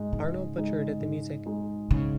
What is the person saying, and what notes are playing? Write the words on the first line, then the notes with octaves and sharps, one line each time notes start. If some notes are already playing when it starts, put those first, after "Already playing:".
Arnold Butcher did the music.
Already playing: G#2 G#3 D#4
G#2 C#3
G#3 D#4
G#2
G#3 D#4
G#2 C#3